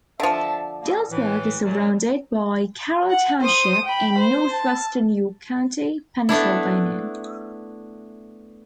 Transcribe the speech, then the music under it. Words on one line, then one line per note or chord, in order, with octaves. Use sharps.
Dillsburg is surrounded by Carroll Township in northwestern York County, Pennsylvania.
D3 F3 E5 A5
B2 A#3
A2 E3
F#2 A#2 F#3
F#5
C5 D#6
G5 B5
C5
A5
A3 B3 D4 E4